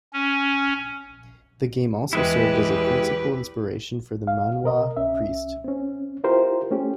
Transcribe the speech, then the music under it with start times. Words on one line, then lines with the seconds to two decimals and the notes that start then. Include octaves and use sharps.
The game also served as a principal inspiration for the manhwa "Priest".
0.13 C#4
2.13 E2 G#3 E4 G4 B4
4.27 F5
4.64 B2 A#4 D#5
4.97 C2 C#4 E5
5.64 C4 C#4
6.24 E4 F4 G4 A#4 C5
6.71 A3 C#4 G4